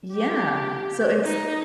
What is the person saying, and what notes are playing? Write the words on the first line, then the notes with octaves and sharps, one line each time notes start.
yeah, so ins
G4
D#4